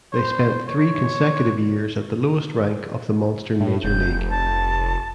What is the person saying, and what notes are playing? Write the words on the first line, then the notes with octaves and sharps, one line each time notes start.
They spent three consecutive years at the lowest rank of the Monster Major League.
C5
C#5
A2
F1 G6
A5